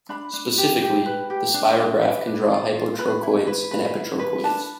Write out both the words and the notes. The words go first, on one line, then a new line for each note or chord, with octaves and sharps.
Specifically, the Spirograph can draw hypotrochoids and epitrochoids.
D4 B5
D4
G4
G4
B4
G4
D4
D4
B4
D4
F4
F4
B4 B5
E4
B4
B4
E4
B4
D4 A5